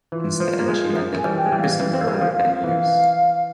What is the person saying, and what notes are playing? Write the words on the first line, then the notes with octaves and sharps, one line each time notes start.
Instead she ended up in prison for over ten years.
E3 F4
F3
A#3
F3 G#3
F3
G#5
E3 G3
G5
G#3
E3 G3
F5
E3 G3
C4
A#3
G#3
G3
F3
E3 F5